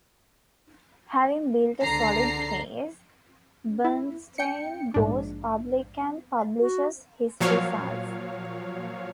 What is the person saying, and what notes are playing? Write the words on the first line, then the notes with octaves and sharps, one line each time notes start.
Having built a solid case, Bernstein goes public and publishes his results.
C#2 D3 A#5 C7
E4
G5 C#7
A#1 G#2 D4
F#4
A#2 F3 F#3 C#5 F5